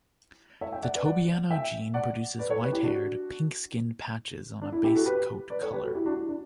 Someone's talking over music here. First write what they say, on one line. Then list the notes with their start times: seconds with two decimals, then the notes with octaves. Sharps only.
The tobiano gene produces white-haired, pink-skinned patches on a base coat color.
0.61 C#5 E5
0.72 E5 G5
0.83 D5 F#5
0.94 B4 D5
1.05 D5 F#5
1.51 E5 G5
1.94 D5 F#5
2.39 B4 D5
2.50 A4 C#5
2.61 G4 B4
2.72 E4 G4
2.83 D4 F#4
4.62 D4
4.72 E4
4.84 E4 G4
4.95 F#4 A4
5.06 G4 B4
5.50 B4 D5
5.61 A4 C#5
5.72 G4 B4
5.84 F#4 A4
5.94 E4 G4
6.05 D4 F#4
6.17 E4
6.29 D4